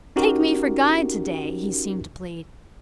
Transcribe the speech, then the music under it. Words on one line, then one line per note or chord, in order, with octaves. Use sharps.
"Take me for guide to-day," he seemed to plead.
C#4 D#4 F#4 G4 A#4